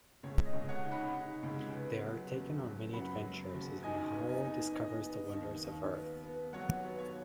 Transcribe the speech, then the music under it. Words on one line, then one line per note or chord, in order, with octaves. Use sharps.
They are taken on many adventures as Miharu discovers the wonders of Earth.
C#2 C#5
D#5
C#2
C#5 F#5
D#4
F#5 B5
D#4
C#2
B3
F#3
F#1
F#3
F#2 F#5 B5
F#3
F#1
D#4 D#5 G#5
B3
D#5 G#5
D#4
D#4 D#5
B3
D#2
D#2
B3
B3
F#3 C#5 F#5
B3
C#5